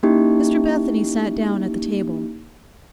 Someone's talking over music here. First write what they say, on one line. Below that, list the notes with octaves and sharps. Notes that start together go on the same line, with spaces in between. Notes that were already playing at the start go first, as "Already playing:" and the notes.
Mr Bethany sat down at the table.
A#3 C#4 D#4 E4 G4